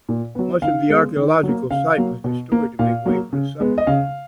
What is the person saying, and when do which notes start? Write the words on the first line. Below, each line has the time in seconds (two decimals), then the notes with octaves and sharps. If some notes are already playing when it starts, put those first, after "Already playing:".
Much of the archaeological site was destroyed to make way for the subdivision.
0.09 A#2
0.35 F#3 B3
0.62 D#3 F5
0.90 G#3 B3
1.17 D#3
1.43 F#3
1.48 A#3
1.71 C#3 F5
1.98 F#3 A#3
2.24 B2
2.52 A#3
2.79 A#2 F5
3.06 F#3 A#3
3.33 C#3
3.60 G#3 B3
3.78 D#5
3.87 C#3 F5